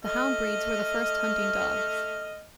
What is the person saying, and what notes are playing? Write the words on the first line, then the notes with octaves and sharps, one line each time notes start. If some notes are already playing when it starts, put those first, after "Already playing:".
The hound breeds were the first hunting dogs.
A3 D#5 F6